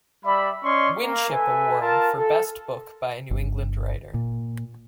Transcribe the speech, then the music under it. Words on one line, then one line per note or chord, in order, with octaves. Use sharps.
Winship award for best book by a New England writer.
G3 D5 E5 B5
C#4 D5 D#5 C6 C#6
A#3
A4 B4 E5 G#5
F4 A#4 A5
A4
G1
A#2